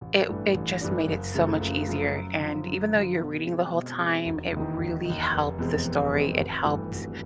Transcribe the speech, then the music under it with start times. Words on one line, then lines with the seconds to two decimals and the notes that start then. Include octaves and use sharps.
it it just made it so much easier, and even though you're reading the whole time, it really helped the story. It helped
0.01 A1
0.28 G2 E3 A3 D4
0.54 A1
0.81 G2 E3 A3 D4
1.08 F#1
1.34 F#2 C#3 F3 A3
1.61 F#1
1.87 F#2 C#3 F3 A3
2.13 F#2
2.40 D3 F3
2.66 F#2
2.93 D3 F3
3.20 B2
3.46 G#3 C4
3.73 B2
3.99 G#3 C4
4.26 E1
4.52 D#2 D#3
4.78 E1
5.05 D#2 D#3
5.32 F1
5.59 E2 B2 G#3 C4
5.85 F1
6.11 E2 B2 G#3 C4
6.38 G#1
6.64 G2 E3 A3
6.91 G#1